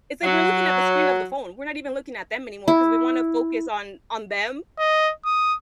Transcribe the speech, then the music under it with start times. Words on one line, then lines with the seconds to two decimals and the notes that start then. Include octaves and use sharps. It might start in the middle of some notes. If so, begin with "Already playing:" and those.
it's like we're looking at the screen of the phone, we're not even looking at them anymore 'cause we wanna focus on on them,
0.24 F#3
2.68 E4
4.79 D#5
5.25 D#6